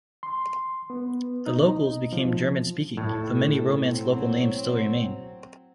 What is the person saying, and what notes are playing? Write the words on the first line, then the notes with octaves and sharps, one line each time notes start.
The locals became German speaking, though many Romance local names still remain.
C6
B3
D#4
F3
A2 A4
F#3 C4